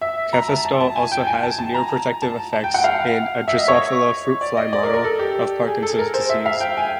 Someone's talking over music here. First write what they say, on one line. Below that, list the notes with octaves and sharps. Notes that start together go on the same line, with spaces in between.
Cafestol also has neuroprotective effects in a "Drosophila" fruit fly model of Parkinson's disease.
E5
A#5
A5
A5
A5
G#5
G5
G#5
A5
A5
A#5
A5
A5
G5
F#5
F5
E5
D#5
C#5
D5
D#5
D5
A#4
A#4
A4
G4
G#4
A4
A#4
C5
E5
F5
G5
G#5